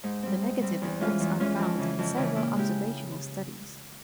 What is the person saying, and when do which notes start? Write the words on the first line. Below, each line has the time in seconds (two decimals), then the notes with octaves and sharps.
The negative effects are found in several observational studies.
0.03 G#2
0.23 G3 C4
0.42 G#2
0.62 G3 C4
0.82 E2
1.00 E3 G#3 C#4 F4
1.20 E2
1.40 E3 G#3 C#4 F4
1.58 F2
1.79 C#3 E3
1.99 F2
2.17 C#3 E3
2.36 A#2
2.56 G#3 E4 G4